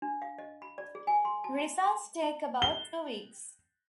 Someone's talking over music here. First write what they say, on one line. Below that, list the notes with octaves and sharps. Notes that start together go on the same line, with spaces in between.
Results take about two weeks.
D4
F5
D#5
B5
D5
G#4
G#5
C6
A5
A5
C6
G7